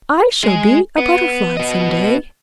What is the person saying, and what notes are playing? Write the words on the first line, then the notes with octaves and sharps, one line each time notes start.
"I shall be a Butterfly some day!"
G#3 G#4
B3
B3 D#5